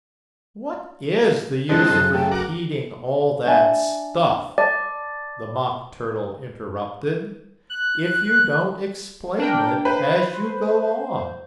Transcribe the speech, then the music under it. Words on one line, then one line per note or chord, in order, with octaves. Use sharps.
'What IS the use of repeating all that stuff,' the Mock Turtle interrupted, 'if you don't explain it as you go on?
F3 G#3 C4 D4 D#4 A4 F#6
F#2 C#3
A3 G5
F#4 A#4 F#5 D6
D4 E5 G#5
D5 A5
F#6
D4 A#4 G5
B4 C5